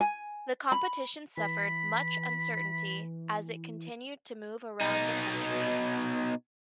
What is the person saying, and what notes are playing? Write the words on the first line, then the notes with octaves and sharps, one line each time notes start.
The competition suffered much uncertainty as it continued to move around the country.
G#5
B5
E3 B5
B2 D#4